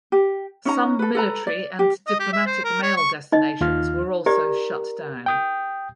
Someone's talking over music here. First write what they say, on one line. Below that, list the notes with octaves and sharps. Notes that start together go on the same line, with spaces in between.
Some military and diplomatic mail destinations were also shut down.
G4
C#4 D#4 A#5
A4 B4
A4 B4 A#5
D5
G4
D#5
G4
E5
C5
A#4
C#5
C#6
D#4 D#5
D#2 F4 F6
G4 A#4 D5
G5 D#6 G6